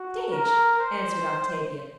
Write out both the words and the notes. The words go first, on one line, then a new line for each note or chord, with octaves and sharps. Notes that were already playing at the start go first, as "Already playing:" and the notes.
"Stage," answered Octavia.
Already playing: F#4
A#4
C5